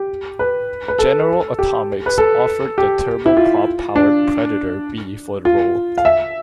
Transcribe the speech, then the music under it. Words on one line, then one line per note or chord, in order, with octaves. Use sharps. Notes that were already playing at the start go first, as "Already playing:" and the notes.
General Atomics offered the turboprop-powered Predator B for the role.
Already playing: G4
B4
B4
A4
G4
B4
A4
G4
E4
F4
D4
F4
F5
E5